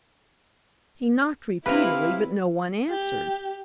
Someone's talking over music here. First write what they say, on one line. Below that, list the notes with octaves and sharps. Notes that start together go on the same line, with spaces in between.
He knocked repeatedly but no one answered.
C3 E4 B4 F5 A#5
G4